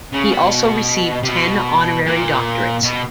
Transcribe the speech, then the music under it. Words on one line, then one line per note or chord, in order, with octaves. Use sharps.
He also received ten honorary doctorates.
C#3
B2
C3
B2
A#2
B2